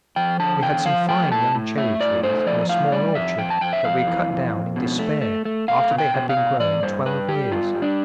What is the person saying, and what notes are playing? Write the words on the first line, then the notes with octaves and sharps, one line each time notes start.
We had some fine young cherry-trees in a small orchard that we cut down in despair after they had been growing twelve years.
F3 G5
D3 A5
E2 G5
F3 F5
A3 G5
A2 A5
A2
A3 E5
A2 D5
A3 C5
F3 D5
A2 F5
G3 D5
F2 E5
F2 G5
A5
F2 G5
E5
F2 F5
E3
F2
F2
B2
A3
A3
A3
A3 F5
B2
G5
B2
F5
B2
E3 D5
G2 C5
G2 B4
G3 G4
G2 F4
G3
D4